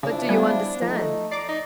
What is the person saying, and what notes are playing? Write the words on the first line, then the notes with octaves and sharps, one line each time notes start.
"But do you understand?"
C#3 F3 D4 E4
G3 B3 G#5
F3 A3 D#4
D5 A#5 D6 C7
D#4